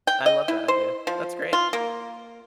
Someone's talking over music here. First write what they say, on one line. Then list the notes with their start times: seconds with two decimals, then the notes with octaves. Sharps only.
I love that idea. That's great.
0.07 G5
0.26 D#5
0.48 E4
0.68 C5
1.07 F3
1.53 F4
1.73 A#3